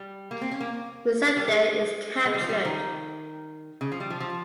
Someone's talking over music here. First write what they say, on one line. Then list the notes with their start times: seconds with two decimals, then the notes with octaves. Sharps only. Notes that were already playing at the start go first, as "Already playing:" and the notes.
Missandei is captured.
Already playing: G3
0.31 A#3
0.41 C4
0.51 C#4
0.60 A#3
1.37 G3
1.48 G#3
2.25 G#3
2.34 G3
2.42 F3
2.49 G3
2.65 D#3
3.81 C#3
3.92 F3
4.00 G3
4.10 F3
4.20 F3